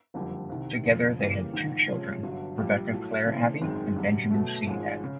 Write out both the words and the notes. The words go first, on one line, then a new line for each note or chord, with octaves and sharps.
Together they had two children, Rebecca Claire Abbey and Benjamin C. Abbey.
F#1 F2 D3 G3
C2 C3 D#3
F1 F2 C#3 F3
C#3 E3 G3 A#3
A#1 G#2 D#3
C3 F3 G#3 C#4
G1 G2 D3 F#3
A#1 A#2 G3
A2 F#3 A3
C#3 E3 A3 C4
G#1 F#2 D#3 G#3 C4
F#2 D3 G3
B2 F#3 A3
G#1 G#2 F3 G#3 C#4
C#3